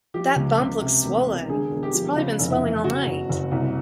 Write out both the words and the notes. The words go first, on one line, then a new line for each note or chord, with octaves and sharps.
That bump looks swollen. It's probably been swelling all night.
F3 G4
C#2
C#2
C3
E1
E1
D3 G#4
E1
G4
F3
C#3 F4
F1
E4
E3
C#3 F#4
F#1
F#1
C2